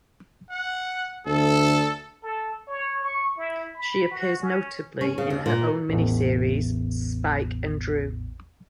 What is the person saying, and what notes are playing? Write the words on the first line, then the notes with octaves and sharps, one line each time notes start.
She appears notably in her own mini-series: "Spike and Dru".
F#5
D2 A4
A4
C#5
C#6
E4
B5
F#4
C#4
C#4
C#3
D#2
A#2
A1 E2